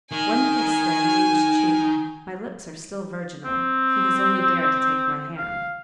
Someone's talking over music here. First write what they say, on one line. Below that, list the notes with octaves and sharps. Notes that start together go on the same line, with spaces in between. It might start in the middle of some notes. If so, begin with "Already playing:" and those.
One kiss, then, on each cheek--my lips are still virginal, he has only dared to take my hand.
D#3 G#5
C4
F5